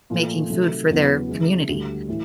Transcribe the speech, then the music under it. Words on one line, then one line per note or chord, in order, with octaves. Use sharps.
making food for their community.
A#2 F3 A3
C3 D#3 F#3 A3
E2 C#3 F#3 B3
C#3 E3 G#3
D2 D3 G3
A2 E3